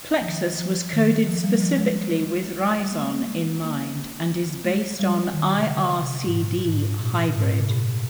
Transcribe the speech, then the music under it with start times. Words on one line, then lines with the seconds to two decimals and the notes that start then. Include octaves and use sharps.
Plexus was coded specifically with Rizon in mind and is based on ircd-hybrid.
0.21 F3
0.26 D#3
0.59 F3
0.93 D#3
1.27 F3
1.44 G3
1.61 F3
1.78 G#3
2.62 G#3
2.79 G3
2.91 A#3
2.97 G#3
3.13 A#3
3.29 G#3
3.64 A#3
4.64 G#3
4.99 G3
5.33 D#3
5.55 C3
5.66 D3
6.01 C3
6.26 G#2
6.33 A#2
6.68 G#2
7.01 A#2
7.35 G#2
7.58 C3
7.70 A#2